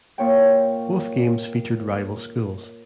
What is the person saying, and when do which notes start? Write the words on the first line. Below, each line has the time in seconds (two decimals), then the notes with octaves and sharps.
Both games featured rival schools.
0.18 A#2 C#5 G5